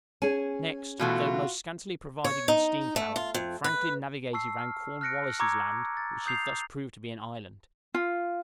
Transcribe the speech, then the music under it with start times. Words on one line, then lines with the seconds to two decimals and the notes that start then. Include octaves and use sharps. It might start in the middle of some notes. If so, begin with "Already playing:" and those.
Next, though most scantily provided with steam-power, Franklin navigated round Cornwallis' Land, which he thus proved to be an island.
0.22 C#4 G#4 G#5
0.99 B2 E3 A3 F4 F#4
2.25 C#5
2.48 D#4
2.96 A3
3.16 F4
3.34 F2
3.64 B4
4.33 A5 C#6 E6 C7
4.59 F6
5.01 F6 F#6 A#6 C#7 D7
5.40 A#5 C#6 D6 E6 G#6 C#7
5.97 A6
6.26 D#6 G6 C7 F7
7.94 F4